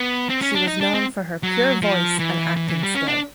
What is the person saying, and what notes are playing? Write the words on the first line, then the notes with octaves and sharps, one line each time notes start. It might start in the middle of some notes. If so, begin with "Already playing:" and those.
She was known for her pure voice and acting skill.
Already playing: B3
C4
C#4
D4
D#4
D4
C4
F#3
F3
E3
E3
E3
G3
C#4
D4